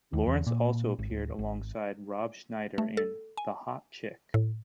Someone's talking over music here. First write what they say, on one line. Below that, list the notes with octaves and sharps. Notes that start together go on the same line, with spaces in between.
Lawrence also appeared alongside Rob Schneider in "The Hot Chick".
D#2
E2
A#2
G#1
D1
G#1
A3
A4
G#5
A2